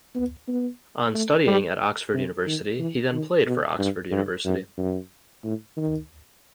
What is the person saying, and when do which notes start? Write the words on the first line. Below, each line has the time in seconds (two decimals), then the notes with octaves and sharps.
On studying at Oxford University he then played for Oxford University.
0.15 B3
0.48 B3
1.14 A3
1.47 G3
2.14 C3
2.46 D#3
2.79 E3
3.13 D#3
3.46 B2
3.79 G2
4.11 G2
4.45 F#2
4.78 F#2
5.44 A2
5.77 D#3